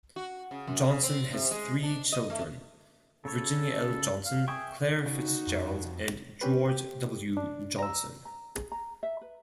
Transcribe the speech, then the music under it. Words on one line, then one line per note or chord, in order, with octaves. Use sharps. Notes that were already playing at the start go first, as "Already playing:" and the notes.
Johnson has three children: Virginia L. Johnson, Claire Fitzgerald, and George W. Johnson.
F#4
C#3
F#2
C#3
C4
C3
G#3
D4
D#5
A3
C#3 A4 C#5
F5
G#4 E5 G5 C#6
C#3 D#4 F#4
F2
C#4 G4 B4
G4
D4
A#5 E6
A#5
G#4
A#5
E5
B4